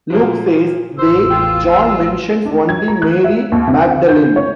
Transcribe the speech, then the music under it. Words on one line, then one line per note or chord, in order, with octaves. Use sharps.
Luke says "they," John mentions only Mary Magdalene.
A#2 F3 F#3
A1 E2 A2 C5 E6
F4 G5
D4
G#6
A#5
F#6
E5
D#2
C3
F#5
G6
C#5